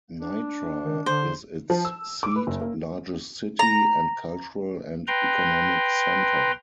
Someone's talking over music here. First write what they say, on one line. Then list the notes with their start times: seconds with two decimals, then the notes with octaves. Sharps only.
Nitra is its seat, largest city, and cultural and economic center.
0.20 D4
0.82 D#3
1.06 D3 C5
1.70 F3
1.85 E6
2.23 D6
2.36 B4
2.47 F#1
2.61 A#3
3.59 A#5
5.07 B4 G5 A#5 C6